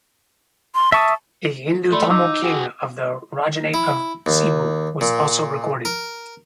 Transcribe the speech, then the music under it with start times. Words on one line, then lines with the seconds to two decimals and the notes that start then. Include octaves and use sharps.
A Hindu Tamil King of the Rajahnate of Cebu was also recorded.
0.75 C6
0.92 E5 A5 C#6 D#6
1.92 A3 D5 B5 C6
2.10 D#4 D6 E6
2.44 F#4 G#4
3.74 E4
4.26 D#2
5.01 A#2
5.85 A#4